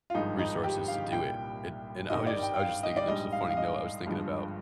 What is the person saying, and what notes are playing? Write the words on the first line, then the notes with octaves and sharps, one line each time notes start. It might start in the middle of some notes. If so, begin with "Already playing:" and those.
resources to do it. It and I was just I was just thinking, like, it's a funny note, I was thinking about.
F4
G#1 G2 F3 G#3 D#4
D#4
G4
F5
C2 A#2 G3 G5
G#1 G2 D#3 G3 D#5
D5
G5
G5
F5
D#5
D5
A#1 G#2 G3 D#5
F5
F5
D#5
G1 G2 F3 G#3